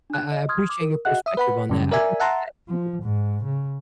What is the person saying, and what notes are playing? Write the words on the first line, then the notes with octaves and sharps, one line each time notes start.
I I appreciate your perspective on that; I think that the
D4 F#6
D#5
C6 D#6 F6 G#6
D6
A#4
F#4 G#4 D#5 E5 F#5 F#6
E5 D#6
B4 F#5 B5
F#2 C#3 G3
A#4 D5 E5 G#5
E5 F#5 A5 A#5 C6
F3
G#2
C#3